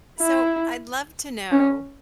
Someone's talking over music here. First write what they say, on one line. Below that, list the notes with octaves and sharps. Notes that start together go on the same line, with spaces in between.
So, I'd love to know
E4
C#4